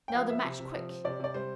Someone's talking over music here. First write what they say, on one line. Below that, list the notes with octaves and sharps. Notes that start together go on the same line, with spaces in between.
Now the match, quick!
G5
F3 F5
C4 E5
C3
C3
F3
C4
C3 D5
C3 D5
G3 C5